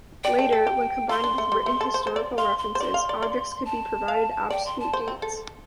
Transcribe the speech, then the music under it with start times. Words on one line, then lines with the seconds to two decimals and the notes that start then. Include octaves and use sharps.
Later, when combined with written historical references, objects could be provided absolute dates.
0.24 D5 G5
0.39 A4
0.52 A4
0.67 G4
1.09 F4 C6
1.24 D4
1.38 A3
1.52 G3
1.66 A3
1.81 A4
1.94 C5
2.07 C5
2.16 D5
2.38 F5 C6
2.58 C6
2.75 C5
2.80 D5 C6
2.94 F5
3.09 D5
3.22 D5
3.65 A5
4.08 F5
4.50 D5 G5
4.65 C6
4.80 A5
4.93 C5
5.08 C4
5.22 A4